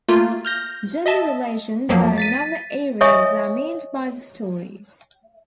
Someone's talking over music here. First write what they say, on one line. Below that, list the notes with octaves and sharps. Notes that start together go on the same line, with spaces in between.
Gender relations are another area examined by the stories.
A3 A#3 F4
F6 G6 A#6
D#5 E5 A5
F2 F3 F#3 A#3
A6 B6 D#7
C#5 D#5 E5 G#5 C#6 D#6